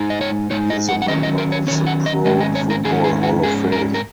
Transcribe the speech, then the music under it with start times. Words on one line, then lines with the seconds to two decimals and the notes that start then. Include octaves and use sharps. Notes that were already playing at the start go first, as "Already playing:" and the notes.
He is a member of the Pro Football Hall of Fame.
Already playing: G#2 G#3 D#4
0.10 D#5
0.21 C#5
0.50 G#2 G#3 D#4 C#5
0.70 D#5
0.89 F#5
1.02 F#5
1.08 D#3 F#3 C#4 D#5
1.23 D#5
1.38 A#4
1.52 C#5
1.67 D#3 F#3 C#4 C#5
1.87 F#5
2.06 D#5
2.25 G#2 D#3 G#3 C#4 D#5
2.41 D#5
2.55 C#5
2.70 A#4
2.84 G#2 D#3 G#3 C#4 G#4
3.04 G#4
3.23 F#4
3.43 G#2 G#3 C#4 G#4
3.72 A#4
3.94 A#4